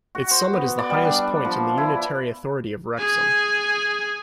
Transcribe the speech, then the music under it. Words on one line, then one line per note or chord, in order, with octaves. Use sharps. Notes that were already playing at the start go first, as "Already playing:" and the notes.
Its summit is the highest point in the unitary authority of Wrexham.
F#4
C5
B3
D5
G3
D4
F3
E4
G#4 G#5